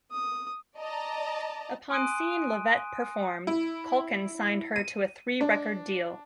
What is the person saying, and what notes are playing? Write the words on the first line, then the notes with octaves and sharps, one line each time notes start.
Upon seeing LaVette perform, Kaulkin signed her to a three-record deal.
D#6
D5 D#5 A5 A#5
G#5 C6 D#6 F#6 D7 D#7
E4
D#7
D4